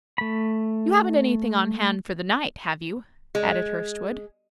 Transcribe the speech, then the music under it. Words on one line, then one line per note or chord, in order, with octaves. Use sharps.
"You haven't anything on hand for the night, have you?" added Hurstwood.
A3 B5
G#3